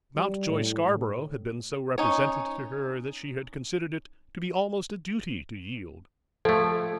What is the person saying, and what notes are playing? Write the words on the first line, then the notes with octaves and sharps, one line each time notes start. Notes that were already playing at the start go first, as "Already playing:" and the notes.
Mountjoy Scarborough had been so represented to her that she had considered it to be almost a duty to yield.
G3
A2
C#4 D#4 C#5
F3 A3 A4